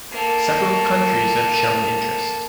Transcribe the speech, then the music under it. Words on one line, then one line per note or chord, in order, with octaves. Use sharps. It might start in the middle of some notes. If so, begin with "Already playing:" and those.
Several countries have shown interest.
A#3 A4